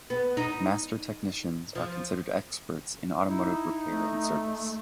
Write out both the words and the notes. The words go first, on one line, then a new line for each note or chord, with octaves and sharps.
Master Technicians are considered experts in automotive repair and service.
B3
D#4
F3
D#4 E4
A3